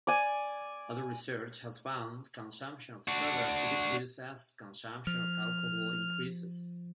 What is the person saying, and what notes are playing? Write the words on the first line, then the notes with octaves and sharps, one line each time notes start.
Other research has found consumption of sugar to decrease as consumption of alcohol increases.
D5 G#5
D4 F#4
F3 F6